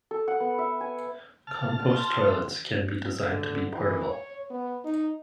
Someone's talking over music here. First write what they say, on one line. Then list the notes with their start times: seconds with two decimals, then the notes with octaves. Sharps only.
Compost toilets can be designed to be portable.
0.11 A4
0.28 F#5
0.40 B3
0.59 E5
0.81 G#5
1.47 A5 F6
1.91 C6
3.24 D3
3.76 E3
4.10 C#5
4.51 B3
4.84 D#4